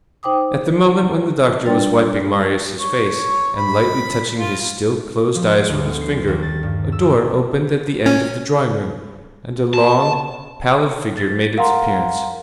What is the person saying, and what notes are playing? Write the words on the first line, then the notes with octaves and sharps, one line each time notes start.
At the moment when the doctor was wiping Marius' face, and lightly touching his still closed eyes with his finger, a door opened at the end of the drawing-room, and a long, pallid figure made its appearance.
D#4 C5 G5 D6 D#6
G3 D4 B4 D5 G5 A6
C#5
B5
F4
F3
D2
B3
C7
D#2
A6
G2
E6
C#4
A5
A6
A#4 F5 F#5 A#5 C6